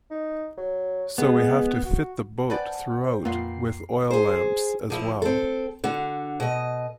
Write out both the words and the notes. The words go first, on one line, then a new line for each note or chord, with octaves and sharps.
So we have to fit the boat throughout with oil lamps as well.
D#4
F#3
G#3 B3
F#4
C4 B4 D5 F#5 G#5 A5 G6
C5 G5
F2 A#2 B3 F4 C7
G#4 C5
D3 F3 E4
C4 A4
D3 F#4
B2 D#5